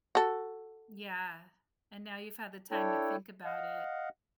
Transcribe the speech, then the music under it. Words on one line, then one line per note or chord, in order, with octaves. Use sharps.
Yeah. And now you've had the time to think about it
F#4 A4
D4 E4 A4 C#5 G5
D#5 F5 F#5